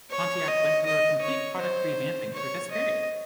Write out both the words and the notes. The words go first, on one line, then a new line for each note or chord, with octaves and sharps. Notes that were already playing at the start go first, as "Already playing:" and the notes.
Pontiac went through a complete product revamping through this period.
C#5
D#5
D#5
C#5
C5
C#5
D#5